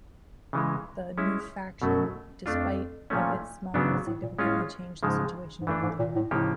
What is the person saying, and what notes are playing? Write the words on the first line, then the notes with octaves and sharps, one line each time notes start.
The "New Faction", despite of its smallness, significantly changed the situation in the Parliament.
C#3 E3 G#3
G#3 C#4 E4
F#2 B2 F#3 A3
F2 A3 D4 F4
A#2 F3 A3 C#4
G2 C#3 F#3 B3 D4
G#2
A2
A#2
A2 G#3 C#4 F4
G#2 C#3 F3 G#3
G#2
G2 E3 A3 D4
G#2
A#2
A2
A2 C#3 F3 A#3 D#4 G4